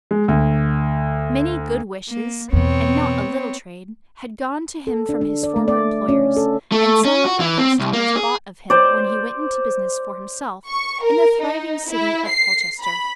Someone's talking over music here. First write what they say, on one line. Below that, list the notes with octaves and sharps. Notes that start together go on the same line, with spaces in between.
Many good wishes, and not a little trade, had gone to him from his former employers, and some of their customers bought of him when he went into business for himself in the thriving city of Colchester.
G#3
D2
A#3
E2 B2 B3 C4 C#5
A4
D4
D4
D5
A3
D5
C#4
A4
A3
C#4
F#4
E3
C4
C2
A#3
G#4
C5 D5
C#6
A#4
D#4
E4
C7
B5